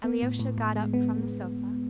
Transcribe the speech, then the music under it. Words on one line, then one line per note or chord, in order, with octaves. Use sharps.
Alyosha got up from the sofa.
B3
A2
A2
A2
G#3
B3